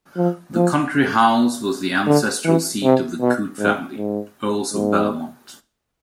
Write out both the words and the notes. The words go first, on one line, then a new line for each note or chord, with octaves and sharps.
The country house was the ancestral seat of the Coote family, Earls of Bellamont.
F3
F3
D3
E3
C3
B2
G#2
G#2
G#2